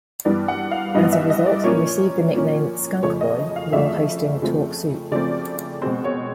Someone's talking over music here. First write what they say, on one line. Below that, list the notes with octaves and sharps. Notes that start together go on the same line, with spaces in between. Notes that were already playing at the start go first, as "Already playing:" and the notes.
As a result, he received the nickname "Skunk Boy" while hosting "Talk Soup".
G2 E3 G3 B3 D5
F#5
F5
G2 E3 G3 B3 D#5
E5
D#5
D5
A#2 F3 A#3 C#4 C#5
A#2 F3 A#3 C#4
F2 C#3 F3 A3 C#5
D#5
F5
F2 C#3 F3 A3 E5
C#3 F3 A3 C4
C#3 F3 A3 C4 D5
B2 G#3 C4 C5
C#5